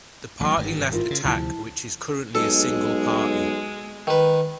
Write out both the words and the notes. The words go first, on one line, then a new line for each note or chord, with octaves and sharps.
The party left Attack which is currently a single party.
A1 F#3
G#1 G2
E4 F4 A#4
C#3
D2 C3 F3 E4 A5
B1 G#3 A4
D#3 B4